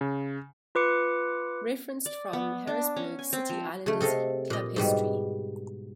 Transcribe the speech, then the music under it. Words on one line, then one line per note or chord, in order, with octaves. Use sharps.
Referenced from Harrisburg City Islanders club history.
C#3
F4 B4 D6 C#7
D5
B3
D4
C#4
G#5
C4
F3
C#3 A3
C3 A4 D#5 F5
A#2 D#5
G#2 B2 G3